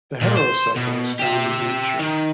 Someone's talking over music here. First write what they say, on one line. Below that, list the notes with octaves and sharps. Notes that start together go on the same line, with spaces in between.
The heterocycle is found in nature.
A#2
C5
B2
G4 E5
D#3